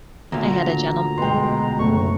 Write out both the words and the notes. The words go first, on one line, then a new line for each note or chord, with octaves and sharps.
I had a gentlem
D2 A#2 A#5
B2 G#3 G5 C6
F#1 A3 C#6